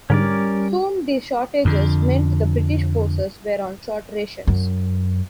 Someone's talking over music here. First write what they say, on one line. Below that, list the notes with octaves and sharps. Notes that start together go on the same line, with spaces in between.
Soon the shortages meant the British forces were on short rations.
G#2 D3 G3 C#4 A#4 D5
F2 D3
F#2